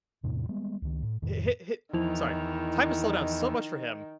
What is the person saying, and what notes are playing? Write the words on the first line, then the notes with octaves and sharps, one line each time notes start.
and hi hi sorry, time slowed down so much for him,
E2 A2 C3 D4
G3 G#3 B3
C#2 D#3
A2
F2 A2 D#3
E2 D#3 F3 E4 F7